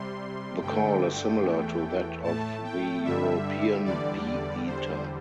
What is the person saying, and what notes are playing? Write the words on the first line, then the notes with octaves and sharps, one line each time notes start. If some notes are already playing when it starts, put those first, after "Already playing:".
The call is similar to that of the European bee-eater.
Already playing: C3 G3 C6
G2 D3 A3 G5
E2 E3 A3
A2 A3 A5
G5
G2 D3 G3 E5
E2 D3 G3 D5
E2 D3 G3 C5